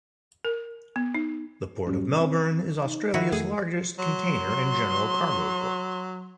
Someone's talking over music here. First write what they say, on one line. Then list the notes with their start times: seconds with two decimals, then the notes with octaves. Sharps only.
The Port of Melbourne is Australia's largest container and general cargo port.
0.45 A#4
0.96 B3
1.15 D#4
1.87 G#2 F#3 G3 C#4
2.17 C4
2.85 D#4
3.14 D#3 E4 F#4
3.32 F2 A3 G#4
3.99 F#3 C6